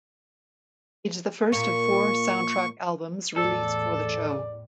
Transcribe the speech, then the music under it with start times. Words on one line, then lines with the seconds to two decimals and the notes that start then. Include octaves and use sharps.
It is the first of four soundtrack albums released for the show.
1.52 A#2 A#3 C#6
3.36 E2 A2 A4 D5